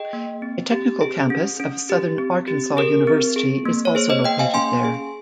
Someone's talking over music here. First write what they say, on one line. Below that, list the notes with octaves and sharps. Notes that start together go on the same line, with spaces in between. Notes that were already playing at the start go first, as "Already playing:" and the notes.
A technical campus of Southern Arkansas University is also located there.
Already playing: G#4 D#5 G5
A#3
C4
G4
G#4
C#4
C#4
G4
C4
G4
G#4 A#4
C4
G#4
A#3
C#5
G#4 C5
C5 D#5
A#3 D#5 G5
F5 G#5
C#4 G#5 C6
G#4